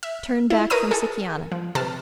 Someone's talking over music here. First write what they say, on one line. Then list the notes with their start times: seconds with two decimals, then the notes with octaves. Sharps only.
Turned back from Sikiana.
0.03 E5
0.50 E4
0.70 A#4 B4 C#5 A#5 D#6 D#7
0.91 G#4 A4
1.52 F3
1.75 C3 B4 A5 F6